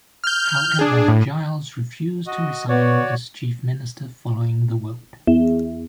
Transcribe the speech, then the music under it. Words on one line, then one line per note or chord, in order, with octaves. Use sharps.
However, Giles refused to resign as Chief Minister following the vote.
F6 G6
D4 G#4
A2
F#4 D#5
B3 F#4 C#5 D5
E2